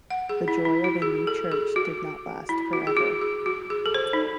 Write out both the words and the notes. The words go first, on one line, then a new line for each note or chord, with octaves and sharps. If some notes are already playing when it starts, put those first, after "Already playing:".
The joy of a new church did not last forever.
F#5
G#4
E4
E4
F#4
G#4
A4
G#4
F#4
E4
F#4
G#4
F#4
G#4
F#4
G#4
A4
C5
D#4